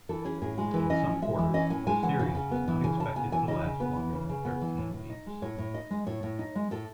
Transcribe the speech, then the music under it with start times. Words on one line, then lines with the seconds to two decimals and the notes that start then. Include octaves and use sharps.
In some quarters, the series was not expected to last longer than thirteen weeks.
0.09 E3 A4
0.25 C#4 G#4
0.42 A2 G#4
0.58 G#3 G#4
0.74 E3 B4
0.90 C#4 D#5
1.06 A2
1.22 G#3 E5
1.39 E3
1.54 C#4 D#5
1.70 A2 G#5
1.87 G#3 G#5
2.03 E3 F#5
2.19 C#3
2.35 C#3
2.51 B3
2.68 E3
2.84 C#3 G#5
3.00 C#3 A5
3.16 B3 G#5
3.32 E3 G#5
3.48 C#3 D#5
3.64 C#3
3.80 B3 B4
3.97 E3
4.13 C#3
4.29 C#3
4.45 B3
4.61 E3
4.78 A2
4.93 A2
5.10 D#4
5.26 G#3
5.42 A2 C#5
5.58 A2
5.74 D#4 D#5
5.90 G#3
6.07 A2 C#5
6.23 A2
6.39 D#4
6.55 G#3
6.71 A2 A4